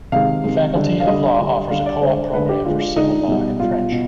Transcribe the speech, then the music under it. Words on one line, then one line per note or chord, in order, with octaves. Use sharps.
The faculty of law offers a co-op program for civil law in French.
C3 D#3 G#3 F5
C3 D#3 G#3
D3 G3
F5
D3 G3 D#5
D3 G3
D3 G3 F5
D5
D3 G#3 C5
D3 G#3 B4
G4
D3 G#3 F4
F4
D3 G#3 D#4
B2 G3
B2 G3 F4
B2